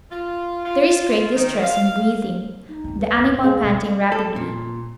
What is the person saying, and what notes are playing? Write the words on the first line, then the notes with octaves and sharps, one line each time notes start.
There is great distress in breathing, the animal panting rapidly.
F4
F4
D#3
F5
D#4
D#2 C4
B4
F#2 A#2
G#3 F5
B2 D3
A4
A#2